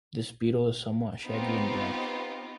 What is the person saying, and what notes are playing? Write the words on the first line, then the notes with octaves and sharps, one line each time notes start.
This beetle is somewhat shaggy and black.
B3 C4 D#4 F4 G4